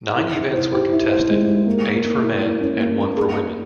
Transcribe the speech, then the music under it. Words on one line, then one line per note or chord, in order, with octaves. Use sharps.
Nine events were contested, eight for men and one for women.
E4
E4
C5
G4
E4
C5
G#3
G#3
A#3
A#3
A#3
E4
A#3
C#4
A#3
A#3
G#4
G#4